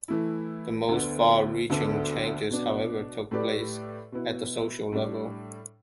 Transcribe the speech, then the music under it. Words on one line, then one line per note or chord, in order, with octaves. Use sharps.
The most far-reaching changes, however, took place at the social level.
E3 A3 E4
D2 D3 B3
D2 D3 B3 D4 A4
B2 B3 D4
A2 A3 G4 B4 D5
B2 B3 E4
A2 G3 D4